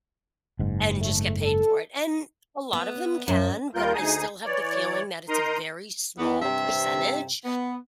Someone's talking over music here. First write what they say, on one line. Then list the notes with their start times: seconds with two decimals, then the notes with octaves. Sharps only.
and just get paid for it. And a lot of them can, but I still have the feeling that it's a very small percentage,
0.59 F#1 G#2
1.00 A3
1.41 A4
2.73 B3
3.28 F#2
3.75 D#2 G3 F4 A#4 G6
3.94 D2 D#4 G#4 D#6
4.45 E3 C#5 D5
5.29 D#4 A#4 A#5 C6 D#6
6.18 E2 B3
6.41 G2 C3 C4 E5
7.45 B3